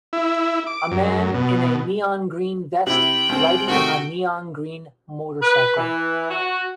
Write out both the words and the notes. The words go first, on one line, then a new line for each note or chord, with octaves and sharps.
A man in a neongreen vest riding a neongreen motorcycle.
E4
D6
F#2
B2
C3 E4 G5 F#7
C2 C4
C3 D#3 A3 F#4 G5
B4
E3
F#4